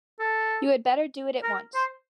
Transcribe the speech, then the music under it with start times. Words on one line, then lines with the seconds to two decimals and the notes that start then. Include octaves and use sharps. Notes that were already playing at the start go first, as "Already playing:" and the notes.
You had better do it at once.
0.20 A4
1.43 A#4
1.74 C5